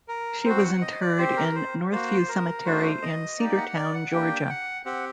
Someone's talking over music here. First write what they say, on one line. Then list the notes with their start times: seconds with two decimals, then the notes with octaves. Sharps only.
She was interred in Northview Cemetery in Cedartown, Georgia.
0.08 A#4
0.45 C4 F#4 C5
0.59 G5
0.63 F#5
0.81 D#5
1.01 D5
1.18 C4 G4 C5
1.37 A#4
1.55 C5
1.92 A#3 F#4 C5
2.29 A#4
2.65 A3 D4 F#4 C5
3.02 D#5
3.39 A#3 D#4 G4 D5
3.57 F#5
3.76 D5
3.94 F#5
4.12 A#3 D4 G4 G5
4.49 F#5
4.85 C4 G4 F#5